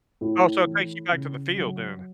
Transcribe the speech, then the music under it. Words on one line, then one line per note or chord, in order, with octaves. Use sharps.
Oh, so it takes you back to the field then.
A2
E3
C#3
F#3